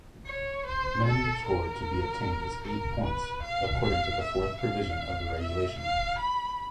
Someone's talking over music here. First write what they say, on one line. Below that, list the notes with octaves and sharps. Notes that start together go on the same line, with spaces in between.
Minimum score to be obtained is eight points, according to the fourth provision of the regulation.
C#5
C5
A4
A#4
A#4
B4
F5
F5
E5
F5
E5
F5
B5